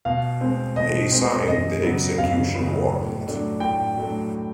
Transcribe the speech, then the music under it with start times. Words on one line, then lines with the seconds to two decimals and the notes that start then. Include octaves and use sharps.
He signed the execution warrant.
0.05 B2 F5
0.41 G#3 C4
0.76 B2 D#5
1.12 G#3 C4
1.47 F#2 D#5
1.83 C#3 F#3 B3
2.18 F#2 F5
2.55 C#3 F#3 B3
2.90 A2
3.25 F#3 A3 D4
3.60 A2 G5
3.97 F#3 A3 D4